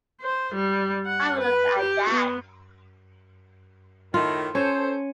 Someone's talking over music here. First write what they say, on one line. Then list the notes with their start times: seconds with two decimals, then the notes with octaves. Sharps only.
Have a look at that.
0.21 C5
0.55 G3
1.06 F#5
1.40 B4
1.79 G4
2.10 B3
4.14 A2 D#3 F4
4.55 C#4 A4 C5 C#5